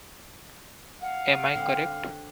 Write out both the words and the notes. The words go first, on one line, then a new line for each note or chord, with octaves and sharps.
Am I correct?
F5 F#5
D3 C4